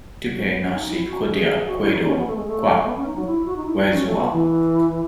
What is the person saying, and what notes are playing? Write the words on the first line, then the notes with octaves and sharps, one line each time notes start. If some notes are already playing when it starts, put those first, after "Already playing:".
Tipei nhasi kudya kwedu kwakwezuva.
F#3
B3
C#4
D#4
E4
F#4
G#4
F#4
E4
D#4
C#4
B3
A3
G#3
A3
B3
C#4
D#4
F#3
E4
F#4
D#4
E4
D#4
C#4
A3
B3
E3